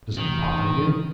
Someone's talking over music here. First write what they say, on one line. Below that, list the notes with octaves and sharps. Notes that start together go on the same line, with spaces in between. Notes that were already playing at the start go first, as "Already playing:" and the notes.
"Does it bother you?"
C3 D#3 E3 A3 C#4